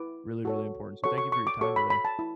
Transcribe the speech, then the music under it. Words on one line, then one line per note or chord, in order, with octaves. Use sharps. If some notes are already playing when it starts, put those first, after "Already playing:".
really, really important. So thank you for your time today.
Already playing: E4 B4 D6
F#4 A4 C#5
F#4 A4 C#5 C#6
C#6
C#6
D6
F#4 A4 C#5 C#6
B5
B5
A5
E4